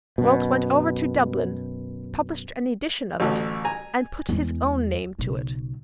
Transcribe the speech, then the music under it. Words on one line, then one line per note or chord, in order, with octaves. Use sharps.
Rolt went over to Dublin, published an edition of it, and put his own name to it.
F#2 B2
A1 D2 A3
G#5 A#5
E2 G#3
B1 C#3